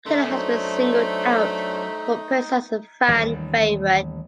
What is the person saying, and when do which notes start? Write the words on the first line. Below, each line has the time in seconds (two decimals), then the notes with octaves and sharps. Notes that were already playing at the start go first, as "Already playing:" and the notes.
"Killer" has been singled out for praise as a fan favourite.
0.06 A3 D4 A4 A#4 E5 C6
0.29 F#2 F#3 D4 D#4 C5 C#5
3.08 A1 D#2 D#3 G3